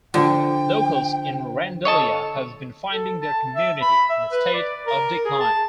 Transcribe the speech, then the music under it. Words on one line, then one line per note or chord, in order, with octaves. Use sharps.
Locals in Randalia have been finding their community in a state of decline.
D3 F3 G5
A4 C#5 D#5 A5
A4
A5
E5
B5
E5
B4
D5
A#4
G#4
A5